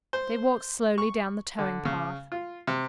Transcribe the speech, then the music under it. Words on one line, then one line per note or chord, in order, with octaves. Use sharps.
They walked slowly down the towing-path.
C5
C#6
D3
C#3
F4
C3